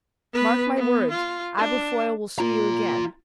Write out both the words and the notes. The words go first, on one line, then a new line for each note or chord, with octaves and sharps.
"Mark my words, Aberfoyle will see you again!"
B3 B4
B3
F4
D4
F4 A#5